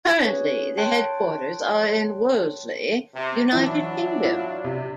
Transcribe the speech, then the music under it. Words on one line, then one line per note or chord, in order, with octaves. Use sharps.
Currently the headquarters are in Worsley, United Kingdom.
C#4 G#4 B4 C#5
C#5 G5 A5 C6 F#6
C3
E3 F#3 D4 E4
E4 F4
C3